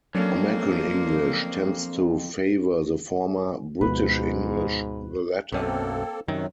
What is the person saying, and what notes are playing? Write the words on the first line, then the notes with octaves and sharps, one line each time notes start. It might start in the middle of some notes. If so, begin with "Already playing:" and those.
American English tends to favour the former, British English the latter.
F2 F#3 A#3 C#4 D4 A4
D2 G#2 B2 F3 G#3 B4
B1 F#2 A#3 C4 A4
F#2 C3 D#3 F#3